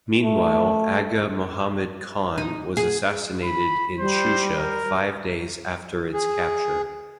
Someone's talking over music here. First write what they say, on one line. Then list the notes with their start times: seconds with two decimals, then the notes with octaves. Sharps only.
Meanwhile Agha Mohammad Khan was assassinated in Shusha five days after its capture.
0.23 A3
2.38 D#4
2.77 G#4
3.44 B5
3.99 G3 C5
4.57 A#4
6.12 G#4